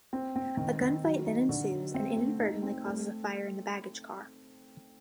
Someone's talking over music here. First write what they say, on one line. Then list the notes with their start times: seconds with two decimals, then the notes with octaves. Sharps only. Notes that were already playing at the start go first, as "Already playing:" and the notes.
A gunfight then ensues and inadvertently causes a fire in the baggage car.
0.13 C4
0.36 C4
0.57 D#3
0.81 D#3
1.03 F#3
1.26 D#4
1.49 D3
1.71 F#3
1.94 C4
2.17 A3
2.40 D#4
2.63 C4
2.86 A3